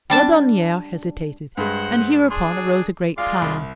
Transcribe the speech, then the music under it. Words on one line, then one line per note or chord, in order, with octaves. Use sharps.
Laudonniere hesitated, and hereupon arose a great clamor.
G3 D4 A5
G2 G#3 C5 F#5
D4 G#4 C6
G#3 F4 D5 F5
C2 B5